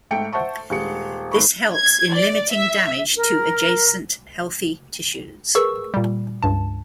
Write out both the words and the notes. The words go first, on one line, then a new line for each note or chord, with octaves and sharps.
This helps in limiting damage to adjacent healthy tissues.
G#2 A3 G5 C#7 D7
C5 E5 F#5 A5 C#6
D#1 G#3 C#7
G#1 A4 B5 C#6
G#6
D5
E5
A#4
G#4 A#4 B4 C#6 E6
A#2 G3
C#2 G2 A5